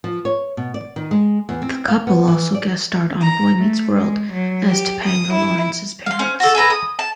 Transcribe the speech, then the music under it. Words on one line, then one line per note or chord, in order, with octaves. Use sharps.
The couple also guest starred on "Boy Meets World" as Topanga Lawrence's parents.
F3
C#5
B2
D5
D#3
G#3
E2
C4
F5
B3
E3
D5
A#5
A3
G#3
F#3
G4
D#6
E4
F5 C6
C#4 C5
F#4 A4
G#4 A4 B4 A#5
D#6
A5